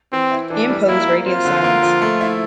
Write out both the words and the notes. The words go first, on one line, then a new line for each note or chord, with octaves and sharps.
Impose radio silence.
E3 C4
E4
E3 D4
G3
A#3 E4
A#3
C4 F4
D3
A#3
F3
A3
E4